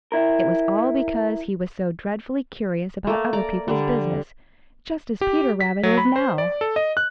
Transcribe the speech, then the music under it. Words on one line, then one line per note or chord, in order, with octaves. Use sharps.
It was all because he was so dreadfully curious about other people's business, just as Peter Rabbit is now.
E4 A#4
A3 A#3
D5 A#5
D3 G3
G4
B6
F#3
B5
C5
D5
A4
D#5
F#6